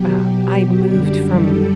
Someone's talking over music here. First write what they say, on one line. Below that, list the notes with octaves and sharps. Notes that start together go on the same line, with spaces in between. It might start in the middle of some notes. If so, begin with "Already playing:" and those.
Um, I moved from
Already playing: B2 F#3 G4
G4
F#2 D3 G3
A4